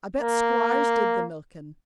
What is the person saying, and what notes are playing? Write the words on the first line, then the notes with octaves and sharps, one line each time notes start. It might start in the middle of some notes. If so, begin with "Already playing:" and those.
I bet squires did the milkin'.
A#3